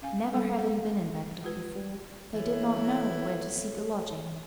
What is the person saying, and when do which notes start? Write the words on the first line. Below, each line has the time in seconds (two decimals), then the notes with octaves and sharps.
Never having been in Bagdad before, they did not know where to seek a lodging.
0.02 C#4 F5 G#5
0.33 G3 A4
0.59 A4 F5 F#5
1.43 G#3 F4 G4 B4
2.34 E3 A4 C#5